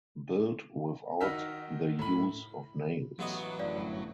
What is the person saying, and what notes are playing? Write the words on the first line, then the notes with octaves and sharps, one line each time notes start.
Built without the use of nails.
D#3 D#4 F#4 E6 F6 B6
A2 B5
A1 F#3 B3 D#5
G1 F#2 A2 D5 F5